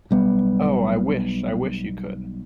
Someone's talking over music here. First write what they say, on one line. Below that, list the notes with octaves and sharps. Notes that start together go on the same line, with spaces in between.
Oh, I wish, I wish you could!
B1 G3 B3